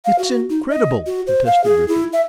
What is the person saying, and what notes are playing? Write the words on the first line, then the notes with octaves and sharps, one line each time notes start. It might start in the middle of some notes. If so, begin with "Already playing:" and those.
"It's incredible!" protested Richard.
F5
F#4
D#4
D#5
F#4
C5
F5
G#4
E4
E5